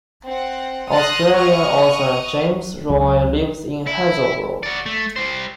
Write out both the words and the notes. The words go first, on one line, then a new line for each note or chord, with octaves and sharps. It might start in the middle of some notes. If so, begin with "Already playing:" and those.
Australian author James Roy lives in Hazelbrook.
C4 F#5
C6 D#6 F6 F#6 A6 A#6
D#5 F#5 C#6 D#6 F6
C#2 F#3 C#4
E4
F#4 D5
A3
G3 C5